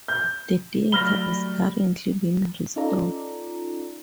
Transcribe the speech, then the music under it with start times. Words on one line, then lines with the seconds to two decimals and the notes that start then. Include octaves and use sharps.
The theater is currently being restored.
0.08 G6
0.92 F#3 G3 A3 B5 F6 A#6 G7
2.76 C#4 D#4 F4 A4 D5 A#5